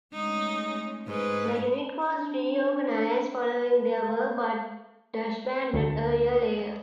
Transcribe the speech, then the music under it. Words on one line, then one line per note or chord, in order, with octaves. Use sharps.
The unit was reorganized following the war, but disbanded a year later.
G#3 A3 C#4 D#4
G#2 B4
D4
B4
F5
D2